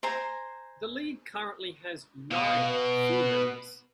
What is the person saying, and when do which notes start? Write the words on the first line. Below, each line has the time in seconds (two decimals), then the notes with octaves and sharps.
The league currently has nine full members.
0.03 C5 G#5 A#5 C6
2.31 B2 F5
2.68 B4